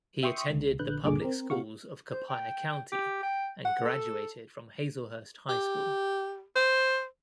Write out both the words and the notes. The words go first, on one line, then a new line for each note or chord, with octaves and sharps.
He attended the public schools of Copiah County and graduated from Hazlehurst High School.
E5 G5 C6 C#6 D#6
C#2
A#1 D3 B4 F#6 G6
C#2 G2 A#2 D3 G#4 D6
C4 A#4
C3 F#4 F5 C#6
C5
G5
G4
G5
F#5
A4
G4
C5